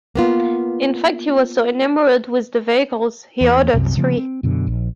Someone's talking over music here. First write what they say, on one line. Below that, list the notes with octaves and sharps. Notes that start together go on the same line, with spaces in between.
In fact, he was so enamoured with the vehicles, he ordered three.
A#3 B3 F4
E2
C2 F#2 C3
C#3 F3 A3 A#3
C4
F#2 B2 D3
A#1